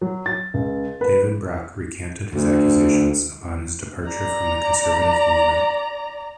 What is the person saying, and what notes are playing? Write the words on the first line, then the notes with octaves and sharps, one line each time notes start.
David Brock recanted his accusations upon his departure from the conservative movement.
F#3
A6
C#2
B4
D2
D5 A#5